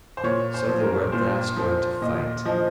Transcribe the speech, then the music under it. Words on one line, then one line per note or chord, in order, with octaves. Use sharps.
So they were at last going to fight.
C5
A#2 C#5
C5
F3
A#4
A#2 C5
F3
A#2 D#5
F3 D#5